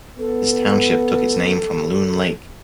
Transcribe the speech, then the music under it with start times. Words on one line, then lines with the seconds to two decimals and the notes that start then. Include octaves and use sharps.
This township took its name from Loon Lake.
0.19 B3 A4